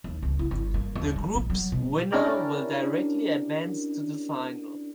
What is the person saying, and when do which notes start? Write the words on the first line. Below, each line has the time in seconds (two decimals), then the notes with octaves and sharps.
The groups winner will directly advance to the final.
0.04 D#2
0.23 C#2
0.39 E4
0.51 G1
0.74 A#3
0.95 D#2
1.16 G#3
1.35 A#1
1.50 F#3
1.72 B2
2.12 C#4 D4 E4 G4 A#4 D5